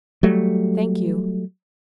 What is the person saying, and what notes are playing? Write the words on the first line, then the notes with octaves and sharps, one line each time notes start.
Thank you.
F#3 G3 A3